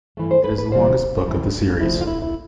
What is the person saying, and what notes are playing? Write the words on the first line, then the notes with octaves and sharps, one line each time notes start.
It is the longest book of the series.
G2 E3 A3
C5
B4
B4
D2 C3 E3 G3 C5
D2 C3 E3 G3
D2 C3 F3 A3 E4
D4
F4
E4
E4